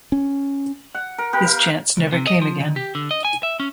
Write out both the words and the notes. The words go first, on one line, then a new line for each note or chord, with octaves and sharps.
His chance never came again.
C#4
F#5
A#4
B3 G4 A#4
F5
C#2
C3
D#5
F3
D#3
G4
D3
D#5
G#5
E5
C#4